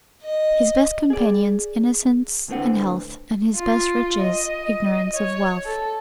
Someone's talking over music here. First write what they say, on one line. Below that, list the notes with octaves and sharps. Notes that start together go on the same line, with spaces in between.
His best companions, innocence and health, And his best riches, ignorance of wealth.
D#5
G#4 D5
D2 A2 D3 C4 B4 F#5
F4
D#5
C#5
A4